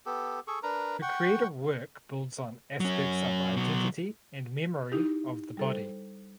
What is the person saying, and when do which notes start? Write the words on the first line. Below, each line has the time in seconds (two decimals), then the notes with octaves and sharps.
Her creative work builds on aspects of identity and memory of the body.
0.06 B3 G4 A4
0.47 G#4 A4 C#6
0.63 D4 A#4 B4 A#5
1.02 F#5 G5 C#6
2.80 F#3 C#4
3.56 B2 F#3
4.92 D#4 E4 G4
5.57 G3 A4 C5